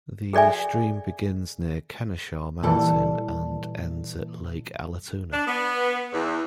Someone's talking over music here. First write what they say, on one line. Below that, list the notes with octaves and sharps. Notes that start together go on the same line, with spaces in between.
The stream begins near Kennesaw Mountain and ends at Lake Allatoona.
G#4 A4 D5 E5 G#5
A#2 E3 G3 A4
D4
B3
E2